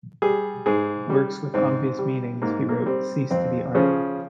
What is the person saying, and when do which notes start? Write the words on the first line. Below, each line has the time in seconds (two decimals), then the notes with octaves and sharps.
Works with obvious meanings, he wrote, cease to be art.
0.22 G3 G#4
0.66 G#2 G#4
1.10 G3
1.54 G#2 C4
1.99 G3
2.42 G#2 A#3
2.69 A#3
2.86 G3 C4
3.31 F2 C4
3.75 C#3 F3 C#4